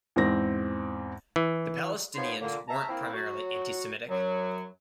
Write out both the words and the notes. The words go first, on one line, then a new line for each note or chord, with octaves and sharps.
The Palestinians weren't primarily anti-Semitic.
E2 G#2 C4 A#6
E3
D#2 F3 B3 D#4 C#5 C6
A#2 D3 A#3
E5 A5 A#5
A#3 C4 E4
F#3 F#4
F#2 F#3